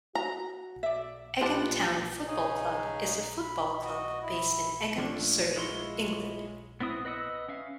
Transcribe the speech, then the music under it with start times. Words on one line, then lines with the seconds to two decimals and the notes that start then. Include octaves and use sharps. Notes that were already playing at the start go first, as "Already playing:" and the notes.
Egham Town Football Club is a football club based in Egham, Surrey, England.
0.15 F#4 A#5
0.83 D5 E5
1.41 A#2 G4 B4 C5 A5
2.27 C#3 C#4 D#4 G#4
3.41 B5
3.84 F#4 D#5
4.22 E4
4.98 F3 A3 A#3 D4
5.56 G#3 E4 F4 C#5 C6
6.80 B3 C4 E4 D#6
7.05 B4 D#5 F#5 D#6 E6
7.48 C#4 E5 F5